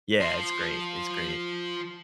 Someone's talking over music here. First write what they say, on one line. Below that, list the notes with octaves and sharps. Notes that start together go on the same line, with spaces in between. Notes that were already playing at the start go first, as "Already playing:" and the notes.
Yeah, it's great. It's great.
F3 C5